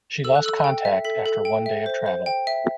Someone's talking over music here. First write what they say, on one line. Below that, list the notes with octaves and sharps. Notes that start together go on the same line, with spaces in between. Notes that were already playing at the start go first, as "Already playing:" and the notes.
She lost contact after one day of travel.
A4 E6
F#6
A4 E6
G5
E5
A4 B6
A4
G5
E5
C5
C5
G5
E5